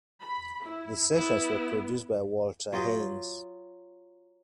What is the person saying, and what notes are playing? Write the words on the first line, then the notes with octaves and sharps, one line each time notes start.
The sessions were produced by Walter Haynes.
B5
E4
B3 E4
F#3 F4 G4 D#5